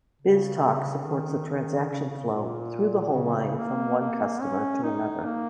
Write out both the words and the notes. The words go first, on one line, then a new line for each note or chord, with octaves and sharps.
BizTalk supports the transaction flow through the whole line from one customer to another.
C#3
C#3
D#3
D#3
C#3
A#2
C#3
A#3
A#3
C#4
D#4
A#3